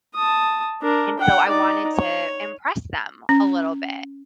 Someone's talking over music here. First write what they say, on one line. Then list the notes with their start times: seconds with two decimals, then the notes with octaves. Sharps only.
and, so, I wanted to impress them a little bit.
0.15 A5 D#6
0.82 D4 A#4
1.19 F#5 G5
1.49 D#4 D5
1.95 C#5
3.29 C#4